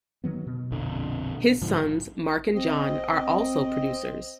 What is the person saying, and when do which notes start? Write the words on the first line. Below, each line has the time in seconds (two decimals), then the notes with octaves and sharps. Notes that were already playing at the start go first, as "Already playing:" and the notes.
His sons, Mark and John, are also producers.
0.24 D#3 F#3 B3
0.47 B2
0.72 A#1 F2 D3
1.62 G#2 D3 F3
2.54 C4 D#5